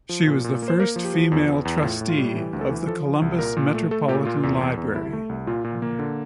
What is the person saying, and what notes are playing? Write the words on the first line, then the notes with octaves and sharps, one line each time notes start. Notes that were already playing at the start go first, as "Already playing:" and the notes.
She was the first female trustee of the Columbus Metropolitan Library.
F3
A#2
A#2
A#3
C5
A#3 A#4
F3
G4
F3
E2
E2
E2
A2 F4
A2
F4
G3
E3
D2
A4
E3
F3 A4
F3
C2
A#2 A#4
A#2
A3
A3 A4
A#2 G4
A#2 F4
E2
E2
E2
C2 E4
A3
C2
A#2 F4
A#2
A#3
D3